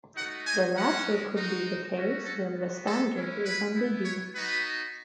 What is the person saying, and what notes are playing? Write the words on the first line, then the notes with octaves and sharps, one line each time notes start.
The latter could be the case when the standard is ambiguous.
A3 D#4 F#4 F#5
G#5
G#3 C#4 F#4 F#5
G#3 D#4 F#4
A3 C#4 F#4
A4
B3 F#4
A4
G#3 C#4 E4
B4
B3 E4
C#5
B3 D#4 F#4 B4